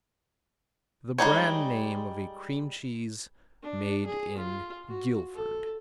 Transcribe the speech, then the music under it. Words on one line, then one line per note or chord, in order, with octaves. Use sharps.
The brand name of a cream cheese made in Guilford.
G3 G#3 D#4 C#5
D4
G#4
F4
F#4
A4